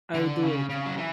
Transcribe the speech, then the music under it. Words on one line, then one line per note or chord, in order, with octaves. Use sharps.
I'll do it.
D3
C#3
C#3
F#3
E3